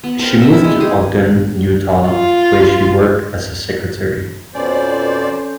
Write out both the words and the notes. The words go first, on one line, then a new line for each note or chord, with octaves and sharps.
She moved to Ogden, Utah where she worked as a secretary.
B3
A#4 C5 G5
B3 E5 F#5 G5
E4
G#3
D#4 G4 G#4
F4
F2 B2 C#4 A4 C5 D5